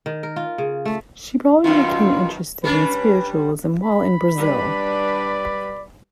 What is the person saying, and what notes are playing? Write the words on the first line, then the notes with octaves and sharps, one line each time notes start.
She probably became interested in spiritualism while in Brazil.
D#3
A#4
F4
C#3
A3
F#2 B2 D#3 F4
G3 C#4 D4 B4
B5
G3 D4 B4 D5